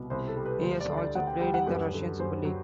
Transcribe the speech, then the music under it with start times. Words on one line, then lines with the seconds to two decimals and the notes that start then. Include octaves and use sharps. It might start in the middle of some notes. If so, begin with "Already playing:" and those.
He has also played in the Russian Super League.
Already playing: C2 B2
0.10 C2 C5
0.28 A4
0.37 G3
0.45 B4
0.62 D2 C5
0.81 D5
0.88 D3
0.98 D5
1.15 D2 F#5
1.27 G5
1.41 G3 G5
1.54 F#5
1.67 F#2 B4
1.94 D3
2.20 F#2 C5
2.45 F#3